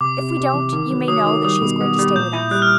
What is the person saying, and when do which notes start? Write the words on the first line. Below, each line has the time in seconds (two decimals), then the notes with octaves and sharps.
If we don't you may know that she is going to stay with us.
0.01 C3 D6
0.18 C3
0.36 C3
0.54 E3
0.73 D#3
0.91 F#3
1.08 F#3 D#6
1.26 D#3
1.44 G3 D#6
1.62 B2
1.81 B3
1.99 G3
2.15 A#2 G6
2.33 E4
2.51 G3 F#6
2.62 F6